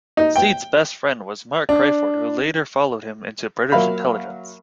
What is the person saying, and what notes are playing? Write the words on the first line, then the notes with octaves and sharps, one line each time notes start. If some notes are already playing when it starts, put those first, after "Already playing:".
Steed's best friend was Mark Crayford who later followed him into British Intelligence.
D#4
G5
D4
F#3 A#3 E5 F5 B5